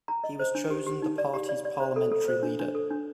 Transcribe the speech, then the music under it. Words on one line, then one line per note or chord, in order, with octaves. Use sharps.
He was chosen the party's parliamentary leader.
A#5
D#5
C5
D4
G4
G4
D#4
D5
G4
D5
D5
C5
A4
A4
C5
D4
D4
A4
D4